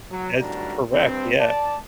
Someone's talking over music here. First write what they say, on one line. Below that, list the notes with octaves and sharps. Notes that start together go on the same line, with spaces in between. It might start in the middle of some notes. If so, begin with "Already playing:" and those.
That's correct, yeah.
F#3
G#1 A2 G3 D4 F#4 A#5
G2 C4
D5 A5